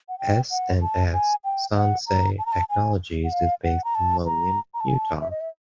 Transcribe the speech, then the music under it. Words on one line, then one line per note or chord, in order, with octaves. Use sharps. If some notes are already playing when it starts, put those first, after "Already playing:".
S and S - Sansei Technologies is based in Logan, Utah.
F#5
G5
F#5
A5
G#5
G5
F#5
A#5
A5
A#5
A5
G#5
F#5
F5
F#5
A#5
A5
A#5
A#5
A5
G#5
A5
E5
D#5
E5